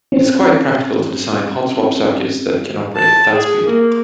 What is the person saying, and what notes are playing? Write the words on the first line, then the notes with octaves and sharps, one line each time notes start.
It is quite practical to design hot-swap circuits that can operate at that speed.
C4 C#4
A5
G#4
A#3